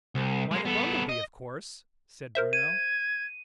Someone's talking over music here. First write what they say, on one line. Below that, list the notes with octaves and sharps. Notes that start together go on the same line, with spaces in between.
"Why the bumble-bee, of course!" said Bruno.
C2
G#3 A#3
B3 A4
D#5
A#4 C5 E5
G#6 D#7